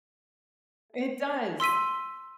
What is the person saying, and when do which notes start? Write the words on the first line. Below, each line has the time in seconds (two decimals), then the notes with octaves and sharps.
It does.
1.60 C6 E6 B6 D#7